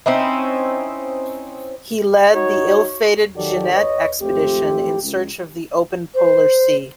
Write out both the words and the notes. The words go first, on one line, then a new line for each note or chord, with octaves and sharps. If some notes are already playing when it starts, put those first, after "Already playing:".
He led the ill-fated Jeannette Expedition in search of the Open Polar Sea.
C4 C#4 D#4 E4
D#4 F#4 C#5
D#3 F#3 F#4 G4 A4 D5
B4 C#5 D#5
G#1 F3 A3 C4 G4
C#2
C5